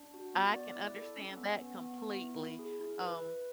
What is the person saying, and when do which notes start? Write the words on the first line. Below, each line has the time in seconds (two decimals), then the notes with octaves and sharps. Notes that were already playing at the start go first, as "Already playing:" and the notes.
I can understand that completely. Um,
Already playing: D4
0.14 F#4
0.34 B3
0.54 D5
0.76 E4
0.96 A4
1.16 C#4
1.37 B3
1.57 B3
1.78 B3
1.98 B3
2.18 E4
2.39 E4
2.59 G#4
2.80 E4
3.01 B4
3.21 B4